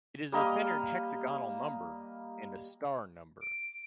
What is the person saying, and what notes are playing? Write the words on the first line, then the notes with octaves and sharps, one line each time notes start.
It is a centered hexagonal number and a star number.
G3 A#3 D#5 F5
D7